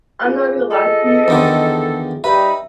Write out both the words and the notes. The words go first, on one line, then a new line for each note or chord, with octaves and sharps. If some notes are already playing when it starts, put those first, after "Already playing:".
I'm not gonna lie to you.
F4 G#4
A4 D#5
E2 D3 D#3
G3 D#4 B4 E5 B5